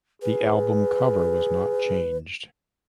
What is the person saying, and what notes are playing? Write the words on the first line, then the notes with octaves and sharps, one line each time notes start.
The album cover was not changed.
G#4 B4